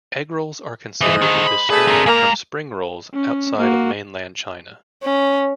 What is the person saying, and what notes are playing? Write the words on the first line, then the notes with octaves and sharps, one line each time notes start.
Egg rolls are considered distinct from spring rolls outside of mainland China.
G2 E3 G#3 G#4 C5
D3 D#3
B5
A3 D4 G#4 B4
C4 A#4
G#3 A#3 A#5
C#4
A#3 F#4
C#4